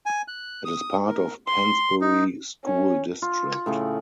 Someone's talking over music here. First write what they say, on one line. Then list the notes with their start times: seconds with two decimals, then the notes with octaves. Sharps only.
It is part of Pennsbury School District.
0.06 G#5
0.28 F#6
0.65 D#6
1.07 A#4
1.47 C6
2.01 D#4
2.64 C#4
3.22 F4
3.66 A2 C#3 G#4